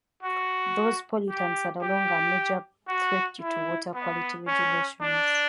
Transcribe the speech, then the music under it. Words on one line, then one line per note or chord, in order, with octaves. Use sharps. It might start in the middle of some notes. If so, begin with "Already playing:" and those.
Those pollutants are no longer a major threat due to water quality regulations.
F#4
G4
G4
F#4
E4
B3
C#4
D4